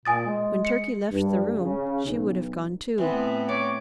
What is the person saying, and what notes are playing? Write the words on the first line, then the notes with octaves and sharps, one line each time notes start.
When Turkey left the room, she would have gone too.
A#2 G#5 D#6 A6
G#3
C#7
G2
C#3
B1
A2 E3 B3 C4
C#5 D5 D6